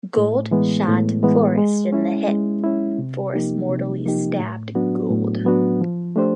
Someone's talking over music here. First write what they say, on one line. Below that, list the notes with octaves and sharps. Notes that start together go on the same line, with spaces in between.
Gould shot Forrest in the hip; Forrest mortally stabbed Gould.
A2
E3 G#3 B3
A2
E3 G#3 B3
G#3
C#4 E4
G#3
C#4 E4
C3
F3 A#3 D#4 G4
C3
F3 A#3 D#4 G4
A2
F#3 B3 D4 F#4
A2
F#3 B3 D4 F#4
F3
A3 D4 G4 C5